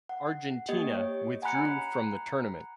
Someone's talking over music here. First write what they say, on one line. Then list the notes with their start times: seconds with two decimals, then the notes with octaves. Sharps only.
Argentina withdrew from the tournament.
0.09 F#5
0.69 A#3 G4 D#5
0.94 C#5
1.42 F#5 G#5 A#5 B5 F#6 C#7